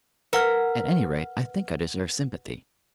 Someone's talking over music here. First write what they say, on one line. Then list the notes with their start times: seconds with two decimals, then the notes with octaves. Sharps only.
At any rate I think I deserve sympathy.
0.33 A#4 B4 F#5 F6